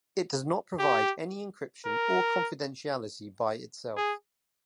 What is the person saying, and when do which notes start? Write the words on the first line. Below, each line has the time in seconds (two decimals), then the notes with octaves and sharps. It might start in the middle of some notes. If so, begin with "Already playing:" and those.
It does not provide any encryption or confidentiality by itself.
0.79 G4
1.85 A#4
3.97 G#4